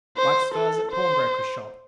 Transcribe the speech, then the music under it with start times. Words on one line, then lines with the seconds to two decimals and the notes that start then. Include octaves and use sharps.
Wife's furs at pawnbroker's shop.
0.17 C5
0.54 A4
0.92 C5